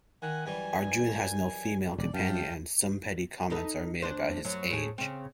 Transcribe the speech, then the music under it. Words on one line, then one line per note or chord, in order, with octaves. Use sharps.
Arjun has no female companion and some petty comments are made about his age.
D#3 F#5 G#5
F#2 E3 G3 G#5
E1 D5
F#2 F5 G5 A5
D#4 A4 B4
D2 D4 C5
F#2 F#3
A2 G#4
C#3 C4